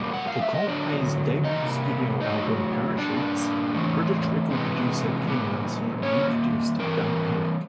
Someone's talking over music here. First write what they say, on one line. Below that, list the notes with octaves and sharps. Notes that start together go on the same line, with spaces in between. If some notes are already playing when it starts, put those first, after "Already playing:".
For Coldplay's debut studio album "Parachutes", British record producer Ken Nelson re-produced "Don't Panic".
Already playing: B2 G3 A#3
F#5
F5
E5
D#5
D3 F#3 B3 D4 D5
C3 E3 G3 A#3 D#4 D#5
C#3 F#3 A3 D#4 D#5
A#2 G3 A#3 D4 D5
C#3 E3 A3 C4
C3 E3 G#3 B3
A#2 G3 B3
D#3 G3 A#3 C#4 C#5
E3 G3 C4 A#4